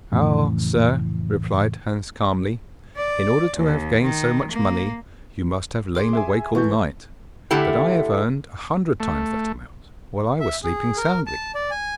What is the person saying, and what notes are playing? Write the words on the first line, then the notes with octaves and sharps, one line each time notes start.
'Ah, sir,' replied Hans calmly, 'in order to have gained so much money you must have lain awake all night, but I have earned a hundred times that amount while I was sleeping soundly.'
F2 A2 C#3 E3
D5
D#2
D#3
A#3
G#4 C6 D6
E5 G#5
E3 A3 C#6 G6
A2 D3 A3 E4 G4
A3
E5
G#4
A#4
A5
D5
G#5